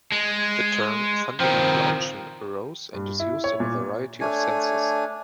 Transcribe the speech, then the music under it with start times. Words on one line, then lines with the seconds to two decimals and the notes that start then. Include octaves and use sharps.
The term "fundamental option" arose and is used in a variety of senses.
0.12 G#3
1.40 D#3 F3 C4
2.94 G2
3.20 E4
3.44 C#5
3.60 A#2
4.21 A3 D4 C#5 G#5